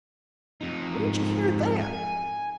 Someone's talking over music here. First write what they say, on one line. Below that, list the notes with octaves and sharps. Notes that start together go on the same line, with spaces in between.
"Where'd you hear that?"
F2 D#4
G#2
G#5